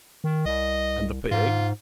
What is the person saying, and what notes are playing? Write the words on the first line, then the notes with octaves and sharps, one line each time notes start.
"And the pig?"
D#3
C2 D#5
G#2 F4